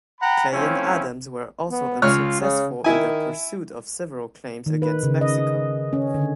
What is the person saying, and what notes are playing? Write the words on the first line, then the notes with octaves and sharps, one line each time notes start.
Clay and Adams were also unsuccessful in their pursuit of several claims against Mexico.
F#5 G5 A#5 B5
F3 A3 C4 C#4 E4
B3
C#2 F4 C#5 F6
C#3
D#3 E4 G#5
D#3
B4
C#3
D#5
C#4
D3